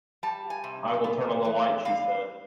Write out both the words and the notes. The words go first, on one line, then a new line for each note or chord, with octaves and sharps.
"I will turn on the light," she said.
G3 A5
G#5
C3
B3
E3
G3 F5